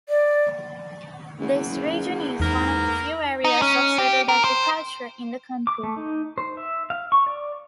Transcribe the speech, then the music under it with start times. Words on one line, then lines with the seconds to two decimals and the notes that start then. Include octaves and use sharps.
This region is one of the few areas of settled agriculture in the country.
0.09 D5
1.40 F#1 E2
2.40 E2 G#2 E3 A#3 B3 A#4
3.44 D#4
3.62 C#4
3.98 G4
4.29 A#4
4.44 C5
5.67 D6
5.83 A3
5.96 D#4
6.38 C5
6.57 E5
6.90 F5
7.12 C#6
7.27 D5